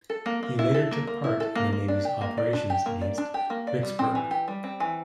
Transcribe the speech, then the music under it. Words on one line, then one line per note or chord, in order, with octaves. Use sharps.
He later took part in the Navy's operations against Vicksburg.
A4
A#3
A#3
E4
A4
A#3
A#3
E4
A4
A#3
A#3
D4
G4
A#3
D5
D4
G4
A#3
D5
D4
G4
A#3
D5
G3
C4
E3
G4
G3
C4
E3